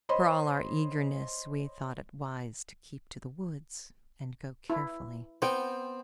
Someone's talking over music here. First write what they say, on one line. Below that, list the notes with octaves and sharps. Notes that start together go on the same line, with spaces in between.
For all our eagerness we thought it wise to keep to the woods and go carefully.
C5 C#5 D#5 B5 C6
E4
B3 C4 G5